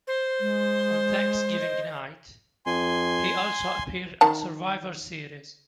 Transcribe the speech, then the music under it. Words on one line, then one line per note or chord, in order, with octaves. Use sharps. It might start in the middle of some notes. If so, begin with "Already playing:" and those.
On Thanksgiving night, he also appeared at Survivor Series.
C5
G#3
D#5
F2 G#5 C6
D#3 A5